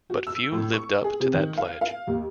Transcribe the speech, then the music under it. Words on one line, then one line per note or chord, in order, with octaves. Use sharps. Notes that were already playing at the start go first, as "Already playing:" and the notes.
But few lived up to that pledge.
F#4
E6
A2
C#6
G#4
C3
D#3
F5
F5
D#2